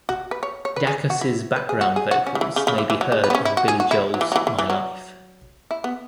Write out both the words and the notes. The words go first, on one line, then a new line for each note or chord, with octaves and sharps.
Dacus' background vocals may be heard on Billy Joel's "My Life".
F#4
B4
C#5
C#5
B4
G#4
F#4
E4
B4
G#4
F#4
G#4
F#4
C#4
C#3
E3
C#3
C#3
E3
E3
F#3
G#3
B4
B3
C#4
E4
F#4
G#4
F#4
E4
F#3
E3
F#3
E3
E3
E3
F#3
E4
B3